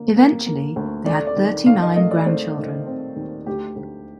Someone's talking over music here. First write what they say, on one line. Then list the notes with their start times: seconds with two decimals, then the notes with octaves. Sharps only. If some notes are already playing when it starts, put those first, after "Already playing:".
Eventually, they had thirty-nine grandchildren.
Already playing: D3 A#3
0.16 A#3
0.46 A#3
0.76 D2
1.06 A3 D5
1.27 D5
1.36 D#3
1.66 D#3 F5
1.82 D#5
1.96 A3 D#5
2.11 D5
2.26 A3 C5
2.57 D#3
2.86 C4
3.16 D#2
3.46 D2 G4
3.76 D2